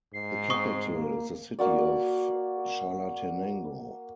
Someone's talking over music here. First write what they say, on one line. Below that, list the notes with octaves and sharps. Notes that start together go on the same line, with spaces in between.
The capital is the city of Chalatenango.
G#2 C7
C4 C#6 D#6
A#3
A#3 F#4 D5